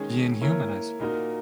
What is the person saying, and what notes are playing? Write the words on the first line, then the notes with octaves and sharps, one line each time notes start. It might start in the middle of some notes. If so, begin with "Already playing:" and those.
being human, I suppose.
Already playing: D#3 G#3 C#4 G#4 C#5
A#3 E4 A#4 C#5
A#2 A#3 D#4 F#4 A#4